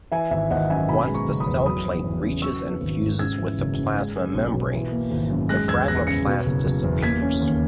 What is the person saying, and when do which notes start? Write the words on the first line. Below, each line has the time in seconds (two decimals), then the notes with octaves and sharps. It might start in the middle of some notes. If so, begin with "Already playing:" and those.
Once the cell plate reaches and fuses with the plasma membrane the phragmoplast disappears.
0.12 E3 E5 G#5
0.31 G#1 E5
0.51 G#1 D#5 F#5
0.69 F#2 E5 G#5
0.88 B2 G#5 B5
1.08 G#3
1.14 A#5 C#6
1.28 F#1
1.40 B5 D#6
1.47 E2
1.66 F#3 B5 D#6
1.85 E2
2.04 E2
2.24 C#3
2.42 F#3 C#6 E6
2.62 B3
2.81 G#1
3.00 G#2
3.19 C#3 E6 G#6
3.38 E3
3.58 F#1
3.77 F#2
3.96 G#3
4.16 C#4
4.34 B1
4.53 B2
4.73 E3
4.92 A#3
5.11 G#1
5.31 F#2
5.49 G#3 F#6 A#6
5.68 E2 E6 G#6
5.88 E2 F#6 A#6
6.07 C#3 A#6 C#7
6.26 B2
6.46 F#1
6.65 F#1
6.84 E2
7.03 A#3 G#6 B6
7.22 C#4
7.41 D#2